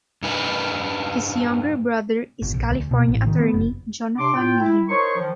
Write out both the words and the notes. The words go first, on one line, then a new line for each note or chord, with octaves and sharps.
His younger brother is California attorney Jonathan Lynn.
G2 D#4 B4
G1
A#1
D2
B2
A1
D#3
B3
F#1
C3 D4 C#5 C6 D6
A2 F4 G5
E4
D#4 A#4 C5 C#5 C6 C#6
D#3 F3